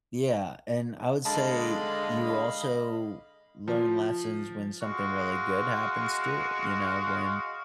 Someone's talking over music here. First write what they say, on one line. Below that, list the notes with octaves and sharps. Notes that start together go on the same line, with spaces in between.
Yeah. And I would say you also learn lessons when something really good happens too, you know? When
D3 G#3 D5 D#5 F5 A5 B5
F3
G#3 F#4 F5